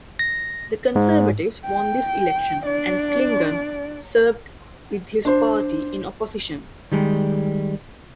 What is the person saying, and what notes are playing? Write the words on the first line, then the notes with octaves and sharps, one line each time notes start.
The Conservatives won this election, and Clingan served with his party in opposition.
A#6
G#2
G5
D4 D5
D4 C5
D#3 G3 G#3